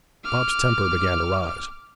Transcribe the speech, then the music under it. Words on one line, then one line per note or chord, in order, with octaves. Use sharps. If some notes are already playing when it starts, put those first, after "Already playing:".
Bob's temper began to rise.
D6 F6